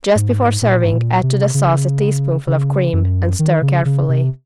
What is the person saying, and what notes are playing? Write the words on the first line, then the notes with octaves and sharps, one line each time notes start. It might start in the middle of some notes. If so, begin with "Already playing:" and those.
Just before serving add to the sauce a teaspoonful of cream and stir carefully.
G#2
A#2
G#2
A#2
C3
C#3
C#3
F#2
D#3
C#3
C#3
C3